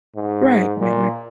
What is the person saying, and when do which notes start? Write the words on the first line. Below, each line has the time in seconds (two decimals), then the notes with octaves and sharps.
Right. Right, right.
0.16 G#2
0.80 A#2